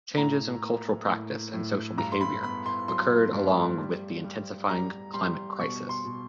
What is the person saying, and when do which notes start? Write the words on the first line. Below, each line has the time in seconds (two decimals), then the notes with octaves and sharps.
Changes in cultural practice and social behaviour occurred along with the intensifying climate crisis.
0.17 A2 A#5
0.63 A#3
1.08 A2
1.53 A2
1.98 G2 A#5
2.12 C6
2.21 B5
2.43 B3 B5
2.66 C6
2.88 F#3 C6
3.33 G2
3.79 G3
4.24 G3
4.69 G3 A#5
5.14 G3 C6
5.59 B2 C#6
5.89 C6
6.05 B2